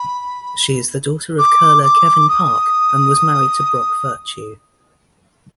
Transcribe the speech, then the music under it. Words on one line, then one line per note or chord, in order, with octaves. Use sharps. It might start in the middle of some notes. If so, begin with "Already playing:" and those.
She is the daughter of curler Kevin Park and was married to Brock Virtue.
Already playing: B5
D6
D6
D#6